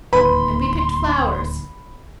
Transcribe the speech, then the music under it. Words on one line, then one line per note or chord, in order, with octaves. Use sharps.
And we picked flowers.
D1 D#2 B4 B5 C6